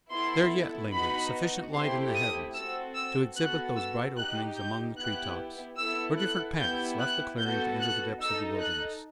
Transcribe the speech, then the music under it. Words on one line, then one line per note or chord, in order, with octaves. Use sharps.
There yet lingered sufficient light in the heavens to exhibit those bright openings among the tree-tops, where different paths left the clearing to enter the depths of the wilderness.
B3 E4 A4 C6
B3 D#4 F#4 B5
A3 C4 E4 G4 C6
D#6
C4 F#4 A4 E6
E6
B3 F#4 A4 F#6
E6
D#4 G4 F#6
G6
B3 E4 G4 F#6
B3 E4 A4 E6
F#6
B3 E4 G4 G6
F#6
B3 F#4 A4 G6
F#6
D#4 A4 E6
F#6